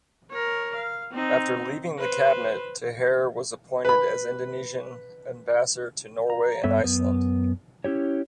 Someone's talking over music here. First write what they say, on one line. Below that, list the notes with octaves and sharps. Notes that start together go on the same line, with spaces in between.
After leaving the cabinet, Taher was appointed as Indonesian ambassador to Norway and Iceland.
A#4 C#5
F5
C4 D#4
B4 C5
B4 B5
A#5
G2 B3 A4 C#5 E5
F#2 B3
C#4 E4 G4 C#5